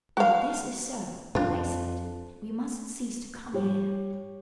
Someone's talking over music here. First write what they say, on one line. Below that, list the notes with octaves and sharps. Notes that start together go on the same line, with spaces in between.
"If this is so," they said, "we must cease to come here."
F#4 F5
F2 D4 F4
G3 G4 C#5